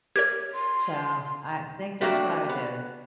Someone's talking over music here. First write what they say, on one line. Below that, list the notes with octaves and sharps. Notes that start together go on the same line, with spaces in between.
So I think that's what I would do,
G4 A#4 C#5 G#6
C6
A3 A#3 C4 D4 F#4 G4
B3